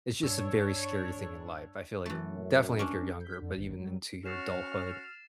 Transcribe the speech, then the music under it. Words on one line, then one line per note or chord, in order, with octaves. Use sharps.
it's just a very scary thing in life, I feel like definitely if you're younger, but even into your adulthood.
G2 D4 C#5 E6
F#2 E3 A3
C#4 D4
G6 B6
F2 D3
G1 D#2
F#3 G3
C#4 F#4 F6 A6 C7 E7